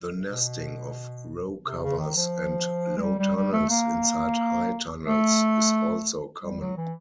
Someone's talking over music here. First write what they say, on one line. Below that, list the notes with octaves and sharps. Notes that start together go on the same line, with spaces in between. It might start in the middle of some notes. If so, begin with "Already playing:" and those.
The nesting of row covers and low tunnels inside high tunnels is also common.
B2
C3
C#3
D#3
F3
G#3
G3
G3
G3
A3
A#3
A3
G3
F#3
E3